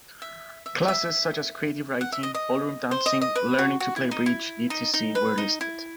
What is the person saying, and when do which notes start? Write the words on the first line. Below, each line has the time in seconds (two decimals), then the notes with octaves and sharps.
"Classes" such as creative writing, ballroom dancing, learning to play bridge, etc., were listed.
0.22 E5
0.66 E5
0.88 E5
2.01 F#5
2.12 E5
2.23 D#5
2.35 D#5
2.91 C5
3.06 D#5
3.21 D#5
3.36 B4
3.59 F#4
3.80 F#4
3.96 E4
4.11 D#4
4.26 E4
4.70 D#4
4.94 D#4
5.15 B4
5.38 D#4
5.61 E4